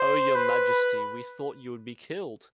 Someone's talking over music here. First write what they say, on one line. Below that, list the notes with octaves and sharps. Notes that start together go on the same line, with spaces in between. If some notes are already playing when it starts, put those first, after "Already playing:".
Oh, your Majesty, we thought you would be killed!
Already playing: C5
B4